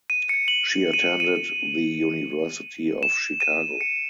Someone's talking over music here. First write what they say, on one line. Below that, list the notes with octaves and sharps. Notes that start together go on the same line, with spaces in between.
She attended the University of Chicago.
D#7
C#7
F#7
D#7
D#7
E7
D#7
C#7